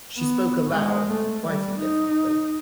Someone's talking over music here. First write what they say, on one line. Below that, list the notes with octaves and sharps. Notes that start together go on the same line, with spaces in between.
She spoke aloud and quite indifferently.
B3
G#3
A3
G3
D#4